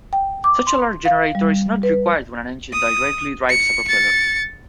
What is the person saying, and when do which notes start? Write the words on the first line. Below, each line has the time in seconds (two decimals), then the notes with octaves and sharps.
Such a large generator is not required when an engine directly drives a propeller.
0.13 G5
0.44 D6
0.67 C6
1.05 F5
1.35 G3
1.83 B4
2.73 D#6
3.49 C#7
3.88 A6 C#7